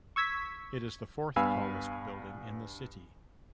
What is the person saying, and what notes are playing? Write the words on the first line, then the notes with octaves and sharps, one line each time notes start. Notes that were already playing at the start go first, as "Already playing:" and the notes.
It is the fourth tallest building in the city.
C#6 E6 G#6 B6
G2 B3 F5 G#5 B5 E6